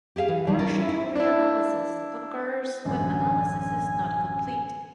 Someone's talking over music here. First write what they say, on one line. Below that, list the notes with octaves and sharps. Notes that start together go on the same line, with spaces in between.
Partial reanalysis occurs when analysis is not complete.
G4 G#4 E5 F5
E3
D#3 G3
C#4 D#4 A#4 D5
E4
E4
D4 E4
A1 F#2 D3 G#5